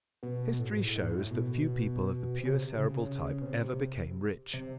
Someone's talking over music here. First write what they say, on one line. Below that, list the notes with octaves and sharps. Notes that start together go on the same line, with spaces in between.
History shows that few people of the pure Cerebral type ever became rich.
B2
A2
G#2
A2
G#2
A2
A2
B2
C3
C#3
C3
C#3
B2
C3
C3